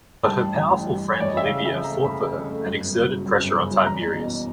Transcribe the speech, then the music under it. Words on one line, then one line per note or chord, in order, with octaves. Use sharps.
But her powerful friend Livia fought for her and exerted pressure on Tiberius.
G2 A5
A1
E3
A1
G2
A1
E3 C#5
D5
A1 D#5
E5
C#3 F5
F2
E5
F3
A#5
A3
C#3 B5
F2
F3
A3
F#2
G1
C#3
F#3
F#2
G1
C#3
F#3
E2 A#5
F#1
B2